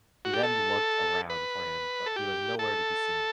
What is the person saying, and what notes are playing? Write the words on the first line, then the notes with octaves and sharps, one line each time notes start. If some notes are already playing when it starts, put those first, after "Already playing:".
He then looked around for him but he was no where to be seen.
F#4
G4
A4
B4
A4
G4
A4